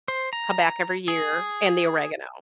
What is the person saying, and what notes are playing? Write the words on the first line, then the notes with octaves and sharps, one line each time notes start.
come back every year, and the oregano,
C5
A#5
G#4